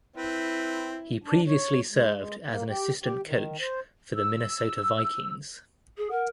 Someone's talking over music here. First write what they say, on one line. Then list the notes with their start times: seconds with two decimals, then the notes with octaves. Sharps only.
He previously served as an assistant coach for the Minnesota Vikings.
0.16 C4 E4 B4
1.22 D4
1.47 C#5
1.91 G#3
2.15 G#3
2.48 A#3
2.68 G4
3.03 G4
3.23 D#3
3.60 C5
4.15 E6
5.97 G#4
6.11 A#4 F#5